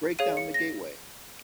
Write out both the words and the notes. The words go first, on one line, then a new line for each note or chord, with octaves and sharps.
Break down the gateway!
G#4 C#5 F5 D#7
C#7
A#6